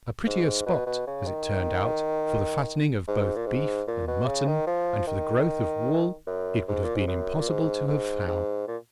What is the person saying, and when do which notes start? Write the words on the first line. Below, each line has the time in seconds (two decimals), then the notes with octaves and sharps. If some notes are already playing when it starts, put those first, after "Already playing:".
A prettier spot, as it turned out, for the fattening of both beef and mutton and for the growth of wool, it would have been impossible to have found.
0.26 G#2
0.66 B2
0.86 B2
1.07 C#3
1.27 D#3
3.08 G#2
3.36 A#2
3.46 G#2
3.88 A#2
4.08 B2
4.27 C#3
4.48 D#3
4.67 F3
5.07 D#3
6.27 F#2
6.68 G#2
6.84 A#2
6.96 G#2
7.08 F#2
7.40 A#2
7.48 G#2
7.88 G#2
8.27 G#2
8.68 A#2